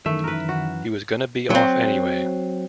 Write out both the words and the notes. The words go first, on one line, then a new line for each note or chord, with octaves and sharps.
He was gonna be off anyway!
F#2 D#3 E3 A3 E5
A#4 B4
F#4
F#3 C4